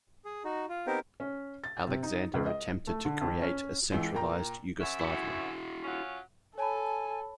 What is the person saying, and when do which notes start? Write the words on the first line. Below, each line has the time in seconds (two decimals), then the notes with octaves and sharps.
Alexander attempted to create a centralised Yugoslavia.
0.25 G#4
0.45 D#4 F#4
0.69 F4
0.87 B3 C4 D#4 G4 A#4 C5
1.20 C#4
1.64 A6
1.87 C3
2.03 D#4
2.34 C#2
2.46 D#5
2.87 A3
3.05 D3
3.21 F2
3.42 C#4
3.92 C#2 E3
4.14 A#2 G5 A#5
4.80 F#2 C#5 E5
5.01 E4 F#4
5.84 F#3 C#4 F4
6.58 A4 C#5 G#5 A5 B5